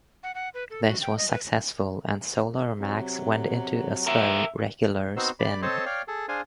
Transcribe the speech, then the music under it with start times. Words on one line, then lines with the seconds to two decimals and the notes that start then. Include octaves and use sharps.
This was successful, and Solar Max went into a slow, regular spin.
0.23 F#5
0.35 F#5
0.54 B4
0.70 A4
0.88 F#4
1.02 G5
1.17 D#5
1.29 B4
2.80 C3 F#3
4.07 G4 A#4 E5
5.16 B3 C4 D#4 F#4 C5 E6
5.39 D5 B5
5.62 C4 A4 C5 C#5 D#5 A5
5.86 C#5 D5 F5 G5 F6
6.08 G#4 A4
6.28 D4 G#4 C5 F5 G#5